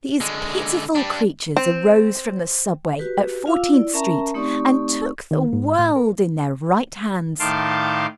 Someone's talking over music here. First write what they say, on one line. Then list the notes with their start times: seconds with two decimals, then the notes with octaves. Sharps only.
These pitiful creatures arose from the subway at Fourteenth Street and took the world in their right hands.
0.21 D3 G#3
0.95 G3 D4
1.57 C4
2.99 F#4 G4 B4
3.46 F4 F5 D6 E6
3.69 E4 D5
3.93 C#4 A#4 E5 A5 A#5
4.34 A3 C4 D#4 G4 D5 C#6
5.31 D#3
5.53 G#2
5.79 A2
5.96 A#4
7.40 A2 D#3 F5 A5 C6 D6